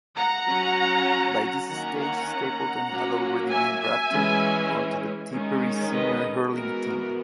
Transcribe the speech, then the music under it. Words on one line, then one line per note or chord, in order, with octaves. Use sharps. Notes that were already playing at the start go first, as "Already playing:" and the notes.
By this stage Stapleton had already been drafted onto the Tipperary senior hurling team.
F#5 A#5
F#3 C#4
D#3 A#3 C#4 F#5 A#5
F#5 A#5
F#5 A#5
F#3 A#3 C#4
E5 G#5
E5 G#5
E3 G#3 C#4
D#3 G#3 C#4
B4 D#5
E3 G#3 B3 F#4 A#4